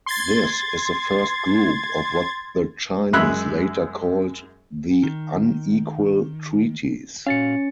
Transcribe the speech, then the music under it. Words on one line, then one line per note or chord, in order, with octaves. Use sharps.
This is the first group of what the Chinese later called the "unequal treaties".
C6 G#6 A6
F#2 G#3 E5 B5 F#6
D#3
A#2 C#4 F#4 F5 A6 C#7